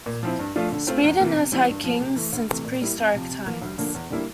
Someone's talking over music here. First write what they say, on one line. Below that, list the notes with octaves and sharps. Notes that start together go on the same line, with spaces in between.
Sweden has had kings since prehistoric times.
A#2
F3 C4 E4
G2
F3 A3 D4 F4
D3
A3 C4 F4
E2
C3 E3 A#3
C3
E3 G3 C4 E4
G2
F3
A#3
C3
E3 A3
D2
C3 E3 A3
A#2
G3 A#3 E4
F2
C3 F3
C3
E3 A#3
D2
D3 F3 A#3
E2
D3 G3 A#3 E4